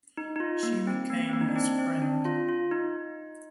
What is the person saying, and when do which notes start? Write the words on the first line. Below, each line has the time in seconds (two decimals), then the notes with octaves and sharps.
She became his friend.
0.17 D#4
0.36 D#4
0.40 F4
0.63 A#3
0.87 C4
1.10 A#3
1.28 C4
1.33 A#3
1.41 D#4
1.49 D4
1.56 C4
1.79 C4
2.02 D4
2.25 F4
2.49 F4
2.71 D#4